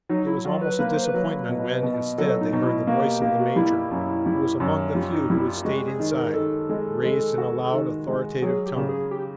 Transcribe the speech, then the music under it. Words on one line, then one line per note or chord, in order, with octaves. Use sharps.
It was almost a disappointment when, instead, they heard the voice of the major--who was among the few who had stayed inside--raised in a loud authoritative tone.
F#3 D#4
E4
F#3 F4
B4
A#3 B4
C5
B4
F#3
B2
B2
F#3 A4
D#4
B2 D#4
E4
A#3 F#4
G4
A#3 G4
F#4
G3 E4
F#2
G3
F#2
G3 F4
D#4
G3 E4
F4
G#3 F#4
G#4
D#3
A#4
D#3 A4
G#3
G#3
F#4
D#3
G#3
F#3 G#4
G4
C#3
G#4
G4